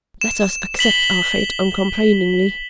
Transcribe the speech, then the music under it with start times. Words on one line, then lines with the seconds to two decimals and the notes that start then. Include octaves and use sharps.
Let us accept our fate uncomplainingly.
0.21 E7
0.79 B6 F#7 G7